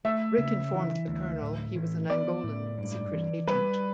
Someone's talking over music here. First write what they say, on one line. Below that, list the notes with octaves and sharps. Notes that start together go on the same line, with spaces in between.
Rick informed the Colonel he was an Angolan secret agent.
A3 E5
C#3
E3
D2
A2
E3
B3 D5
A2
G2
E3
G3 B4